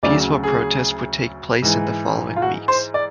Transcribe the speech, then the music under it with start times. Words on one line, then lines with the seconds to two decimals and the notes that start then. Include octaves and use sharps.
Peaceful protests would take place in the following weeks.
0.03 D2 C#3 F#3 D5
0.44 G#4
1.62 G#2 E3
2.36 F4
2.42 F#4
2.68 C5
2.94 D5